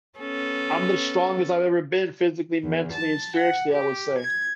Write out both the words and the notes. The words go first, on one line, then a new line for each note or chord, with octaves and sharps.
I'm the strongest I've ever been physically, mentally, and spiritually, I would say.
B3 C#4 A4
E2
A5
F#5
G4
G#6